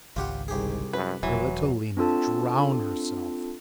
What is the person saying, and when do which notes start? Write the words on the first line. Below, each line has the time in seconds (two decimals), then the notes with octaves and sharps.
Her little Lena drown herself!
0.16 G#1 C#2 F4 G4 F#5
0.48 C2 G#2 G4 G#4
0.93 F#2 B4
1.23 E1 E3 F#3
1.97 C4 D4 F4 A4 A5